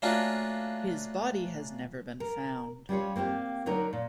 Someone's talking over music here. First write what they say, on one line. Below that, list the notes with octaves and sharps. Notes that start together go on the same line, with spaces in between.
His body has never been found.
A3 A#3 C#4 D4 F4 F#4
A#4
G3 C#4 F4 C#5
A#3 C4 F4 G4
D3 F#3 D#4 A#4
A#2